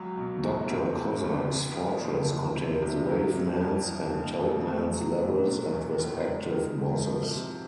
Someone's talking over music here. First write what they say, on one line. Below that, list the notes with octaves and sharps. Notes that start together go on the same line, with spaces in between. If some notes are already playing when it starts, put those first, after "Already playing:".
Doctor Cossack's fortress contains Wave Man's and Toad Man's levels and respective bosses.
Already playing: C#2 F#3
B2
E2
C3
E2
F1
C#3
F2
F#1
E3
C3
C2
F#3
C#3
F2
E3
G2
A1
A3
F#3
A#2
B2
E2
F1
G#3
D#3
G#2
F3
C3